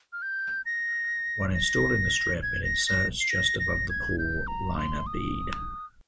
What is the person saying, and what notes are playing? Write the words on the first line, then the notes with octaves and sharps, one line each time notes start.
When installing the strip, it inserts just above the pool liner bead.
F6
G6
A#6
A#6
G#6
A#6
A#6
C7
A#6
A#6
G#6
G6
A#5
C6
D#6